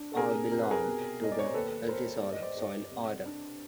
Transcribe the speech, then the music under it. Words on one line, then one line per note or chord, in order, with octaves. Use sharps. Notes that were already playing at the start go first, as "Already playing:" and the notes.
All belong to the Ultisol soil order.
Already playing: D4
A4
C3 G#4 A#4
C3 A#4
B4
G#4 A#4
B2
B2 D#5
D5
C#5
C5
D#2 A4 B4
D#2 A#4 C5
G2 D5
D#5
C5 D5
G2
C3
D4